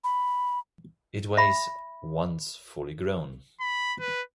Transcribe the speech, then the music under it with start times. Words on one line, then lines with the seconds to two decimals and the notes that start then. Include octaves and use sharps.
It weighs once fully-grown.
0.04 B5
1.37 E5 B5
3.60 B5
4.00 B4